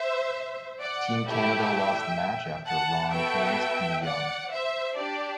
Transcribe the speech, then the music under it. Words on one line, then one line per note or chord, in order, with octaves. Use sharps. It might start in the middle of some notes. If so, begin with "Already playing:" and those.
Team Canada lost the match after Ron Killings pinned Young.
Already playing: C5 E5
D5 F#5
A3 E4 G4 E5 G5
F#5 A5
B3 F#4 A4 E5 G5
D5 F#5
C5 E5
D4 G4 D5